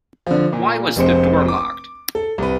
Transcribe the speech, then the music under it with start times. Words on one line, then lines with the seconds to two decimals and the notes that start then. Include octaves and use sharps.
Why was the door locked?
0.27 D3 F3
0.52 A#2 A#3
0.96 F1 A#1 G#3 C4 C5 C#7
1.48 D6
2.15 A4
2.38 C2 B4